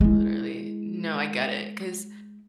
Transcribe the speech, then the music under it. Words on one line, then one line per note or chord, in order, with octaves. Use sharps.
Literally. No, I get it, 'cause
G#3 E4